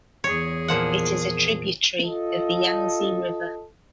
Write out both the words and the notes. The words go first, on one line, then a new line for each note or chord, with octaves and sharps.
It is a tributary of the Yangtze River.
E2 G#4 C#5
A#2 F3 F#5
F4 A4 D#5